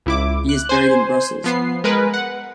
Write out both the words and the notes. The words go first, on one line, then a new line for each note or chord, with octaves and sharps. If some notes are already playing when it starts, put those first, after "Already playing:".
He is buried in Brussels.
C#2 E4 D6
F#6
C5 G#5 C6
F3 B3 C7
G#3 A#4 B4
F#5